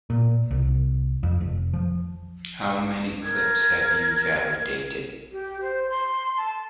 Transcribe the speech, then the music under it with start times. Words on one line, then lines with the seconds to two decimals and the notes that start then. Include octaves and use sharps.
How many clips have you validated?
0.10 A#2
0.51 C2
1.23 F2
1.41 F1
1.73 F3
3.22 A#4 G#6
5.33 G4
5.61 C5
5.90 C6
6.37 A5